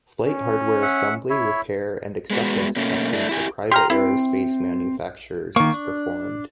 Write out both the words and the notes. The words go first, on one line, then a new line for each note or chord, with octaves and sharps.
Flight hardware assembly, repair, and acceptance testing for private aerospace manufacturers is performed.
C#4
E5 F#5
E4 C#5 E5
G#3 B3 F#4
B2 A3 A#3 C#4
A3 D4 E4
E4 G4 G#5
G4 A#5 C6 F6
C4 E4
D#3 A#3 C#6
D4